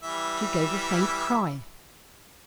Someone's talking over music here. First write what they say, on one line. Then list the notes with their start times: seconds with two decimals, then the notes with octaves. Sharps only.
She gave a faint cry.
0.03 E3 G3 E5